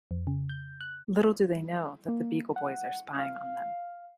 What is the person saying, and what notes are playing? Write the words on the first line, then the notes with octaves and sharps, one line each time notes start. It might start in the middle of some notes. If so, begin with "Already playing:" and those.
Little do they know that the Beagle Boys are spying on them.
F2
C#3
G6
F#6
A#3
F#5
F5